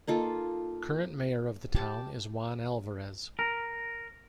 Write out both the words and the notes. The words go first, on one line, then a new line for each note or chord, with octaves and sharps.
Current mayor of the town is Juan Alvarez.
A#3 D#4 F4 A4
G4 A5
A#4